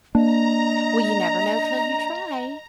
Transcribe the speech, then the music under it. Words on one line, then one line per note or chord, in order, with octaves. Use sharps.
"Well, you never know till you try."
A#3 D4 D#5 A#5